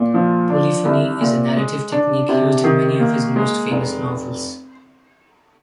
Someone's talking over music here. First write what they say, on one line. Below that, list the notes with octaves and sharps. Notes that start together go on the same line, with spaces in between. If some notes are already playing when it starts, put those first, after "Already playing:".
Polyphony is a narrative technique used in many of his most famous novels.
Already playing: A#2
F3
D4
C2
A#2
G#3
D4
C3
D#3
A#3
G#3
F1